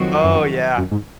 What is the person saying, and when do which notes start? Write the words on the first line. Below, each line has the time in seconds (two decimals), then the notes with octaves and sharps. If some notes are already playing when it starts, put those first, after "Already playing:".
Oh, yeah.
Already playing: F2 D#3 F#3 C4 F#4
0.24 F#2
0.78 F#2
0.91 G#2